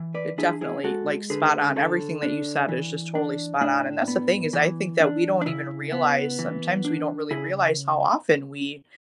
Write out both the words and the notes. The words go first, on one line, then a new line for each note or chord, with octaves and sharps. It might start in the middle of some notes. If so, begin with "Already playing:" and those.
it definitely, like, spot-on, everything that you said is just totally spot-on, and that's the thing is, I think that we don't even realize sometimes we don't really realize how often we
Already playing: E3
B4 D5
D4 E4 G#4
E4 G#4
G#3 F#4 A4
D3 G#4 B4
D3 A4 C#5
D4
E3
D4
A2 D4
B3
E3
D4
D4
C#3 E4
B3
E3
D4
C#3 E4 G#4